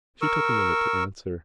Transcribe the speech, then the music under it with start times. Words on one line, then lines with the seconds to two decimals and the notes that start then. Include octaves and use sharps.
She took a minute to answer.
0.22 A#4 C#6 E6